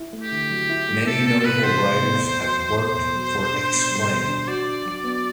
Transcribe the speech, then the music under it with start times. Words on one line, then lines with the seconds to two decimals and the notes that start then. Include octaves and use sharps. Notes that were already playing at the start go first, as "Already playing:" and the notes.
Many notable writers have worked for Exclaim!
Already playing: E4
0.13 A3
0.22 G4
0.32 D3
0.50 F#3
0.70 E4
0.89 A3
1.07 C3 A4
1.26 B3 A4
1.39 A4
1.45 C3 B4
1.64 E3 C5
1.83 C3
2.02 B3
2.21 E2
2.40 F#3
2.59 E2
2.77 B2 C5
2.97 E2
3.16 F#3
3.34 B2
3.53 D4
3.73 B2
3.91 G3
4.11 B2
4.29 D4
4.48 F#4 D5
4.67 D4
4.86 F#3
5.04 B3